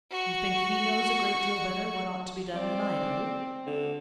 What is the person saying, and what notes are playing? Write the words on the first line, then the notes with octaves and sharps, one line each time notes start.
"You think he knows a great deal better what ought to be done than I do?"
F#4 C#6
C4 D5
D3